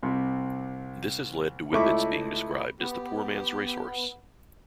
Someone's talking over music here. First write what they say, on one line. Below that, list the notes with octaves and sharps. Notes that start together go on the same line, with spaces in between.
This has led to Whippets being described as the poor man's racehorse.
C2 C3
C#2 A3 E4 C#6 D6
B3 G4